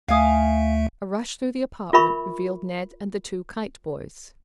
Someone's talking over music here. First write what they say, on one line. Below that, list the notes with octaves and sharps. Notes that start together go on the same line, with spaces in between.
A rush through the apartment revealed Ned and the two kite boys.
D2 A3 E5 F5 G#5 D#6
F4 A#4 E5 B5 C#6